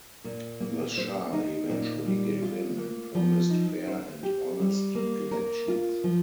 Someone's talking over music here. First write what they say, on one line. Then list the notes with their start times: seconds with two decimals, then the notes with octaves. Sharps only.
The Shah eventually gave in and promised fair and honest elections.
0.24 A#2
0.60 A#3
0.98 C5
1.33 D#4
1.70 A#2
2.06 G3
2.42 F4
2.78 A#3
3.15 F3
3.50 D#4
3.87 C5
4.23 G4
4.60 G3
4.95 A#3
5.31 A#4
5.68 F4
6.04 F3